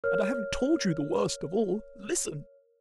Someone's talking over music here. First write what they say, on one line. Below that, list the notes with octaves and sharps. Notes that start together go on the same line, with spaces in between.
And I haven't told you the worst of all. Listen!
A#4 C#5 F6